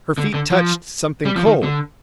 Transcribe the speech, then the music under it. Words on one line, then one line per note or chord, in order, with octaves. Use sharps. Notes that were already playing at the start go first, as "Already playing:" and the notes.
Her feet touched something cold!
D3
D3
F3
G3
F3
D#3
D3